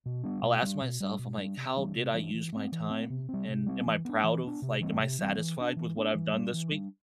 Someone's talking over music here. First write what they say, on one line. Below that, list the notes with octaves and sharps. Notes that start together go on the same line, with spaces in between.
I'll ask myself, I'm like, "How did I use my time?" And, "Am I proud of, like, am I satisfied with what I've done this week?"
B2
G3 B3 D4
B2
G3 B3 D4
B2
G3 D4
B2
G3
D4
C3
E3 G3 D4
C3
E3 G3 D4
E3
A3 C4
E3
A3 C4
C3
G3 C4
C3
G3 C4
E3
B3 D4
E3
B3 D4
C3
E3 G3 C4
C3
E3 G3 C4
E3
B3 D4
E3
B3 D4
E3
G3 D4
E3
G3 D4